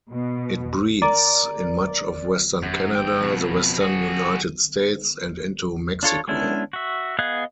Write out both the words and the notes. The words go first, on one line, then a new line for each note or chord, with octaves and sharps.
It breeds in much of western Canada, the western United States, and into Mexico.
B2
A#4 D5 A#5 D6
F#2
E2 G5
F2 B2
F#4 G#4
D4 F4 A4 C#5
G#3 B3 C#4 D4 E4
F#4 E5
B3 G#4 D#5 F5 F#6